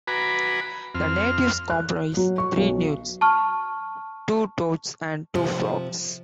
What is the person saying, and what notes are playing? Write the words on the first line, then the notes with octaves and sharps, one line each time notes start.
The natives comprise three newts, two toads and two frogs.
F#4 B4 G#5 A#5 B5 D6
F2 C4 F6
F#6
F#3
C#6
B1
A5 C#6 F6
C3 F3 C4